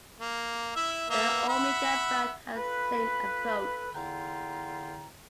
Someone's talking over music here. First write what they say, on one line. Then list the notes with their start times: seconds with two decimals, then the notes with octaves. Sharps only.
The Omega brand has the same approach.
0.20 A#3
0.76 E4 E5
1.10 A#3 B3 E5
1.48 E5 F#5 B5
2.56 F4 A4 B4
3.94 E2 D3 F4 G5 A#5